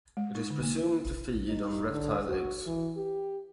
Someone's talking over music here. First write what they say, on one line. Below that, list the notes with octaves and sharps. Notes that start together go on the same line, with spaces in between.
It is presumed to feed on reptile eggs.
G#3
D#4
D3
A#3
D#4
D3
F#4
E3
G4